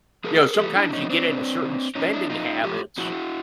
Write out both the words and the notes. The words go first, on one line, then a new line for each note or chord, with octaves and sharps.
you know, sometimes you get into certain spending habits,
A2 F3 G#4 A#4
G#4
A2 E3 G4 A4
D4 E4
E4
A2 F3 C#4 D#4
C4 D4
B2
C3 D#3
A#2 F3 C#4 D#4
D4 E4
A#2 F3 D#4 F4
A2 F3 F4 G4
A#2 F3 E4 F#4